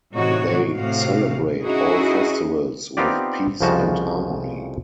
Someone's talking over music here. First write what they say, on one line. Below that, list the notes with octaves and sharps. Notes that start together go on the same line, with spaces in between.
They celebrate all festivals with peace and harmony.
A2 C3 E3 D#4 F#4 C#5
A2 C3 F#4 F5
C#4 D#4 E4 F#4 G#4
B3 C4 D#4 F4 G4 D5
C2 F2 C#3 F3 F#4 A5